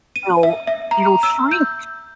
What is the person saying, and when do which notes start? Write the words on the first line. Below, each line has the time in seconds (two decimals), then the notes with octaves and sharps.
will it'll shrink
0.16 D#7
0.43 E5
0.67 E5
0.91 A#5
1.23 E6
1.51 G6